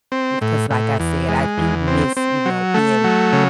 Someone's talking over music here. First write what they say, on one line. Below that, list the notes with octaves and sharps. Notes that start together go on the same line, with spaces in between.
it, 'cause like I said, I do miss, you know, being
C4
A2
A2
E2
G#3
E2
C4
C4
F#3
A3
F#3
C#3